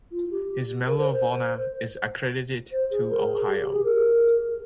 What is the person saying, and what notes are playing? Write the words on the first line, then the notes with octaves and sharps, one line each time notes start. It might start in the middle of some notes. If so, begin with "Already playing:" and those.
His Medal of Honor is accredited to Ohio.
F4
G4
A#4
C5
C5
C5
G#4
A#4
G#4
G4
G4
G#4
A#4